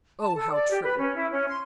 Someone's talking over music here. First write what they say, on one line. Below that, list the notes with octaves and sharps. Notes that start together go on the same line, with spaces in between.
Oh, how true!
A5
A4
D5
G4
B4
C#4
E4
C#4
C6